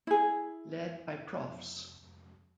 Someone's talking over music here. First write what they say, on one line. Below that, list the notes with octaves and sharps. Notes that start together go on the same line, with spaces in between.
Led by Profs.
E4 G#4